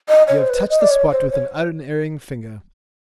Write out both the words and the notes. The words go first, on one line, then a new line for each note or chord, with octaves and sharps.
'You have touched the spot with an unerring finger.
D#5
C#5
C5
B4
D#5
D5
C#5
C5
C#5